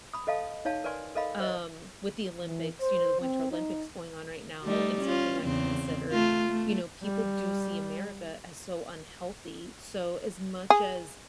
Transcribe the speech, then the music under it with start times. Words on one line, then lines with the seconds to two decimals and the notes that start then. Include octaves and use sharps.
Um, with the Olympics, you know, the Winter Olympics going on right now, it's something I've considered. You know, people do see America as so unhealthy, so, as much as
0.13 B5 D#6
0.27 A4 D#5 F5 A5
0.65 D#4 C#5 F5 A5
0.84 A#4 B4 D5 G#5 C6
1.15 A4 A#4 D#5 F5 B5
1.40 C5 D#5
2.45 E3
2.81 C5
3.21 C4
3.51 D#4
4.63 G3 A3 D#4
5.01 C#4 F4
5.42 E2 C#3 C4
6.11 A3 F4
6.49 A3
7.03 G3
10.70 G#4